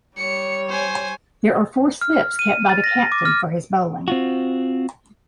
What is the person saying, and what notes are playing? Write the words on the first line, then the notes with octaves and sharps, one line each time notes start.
There are four slips kept by the captain for his bowling.
G3 C#5 C#7
C5 G#5
F6
D#7
A6
A#6
D6
F6
C4 F4 F#4